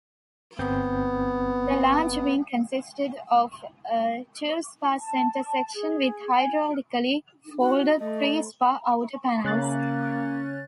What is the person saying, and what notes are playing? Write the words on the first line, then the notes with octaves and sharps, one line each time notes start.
The large wing consisted of a two-spar center section with hydraulically-folded three-spar outer panels.
G1 B3 C4 G6
A5
G#4
G#5
F#4
A3 D#5
C#3 A#3 C#4 F#6 A6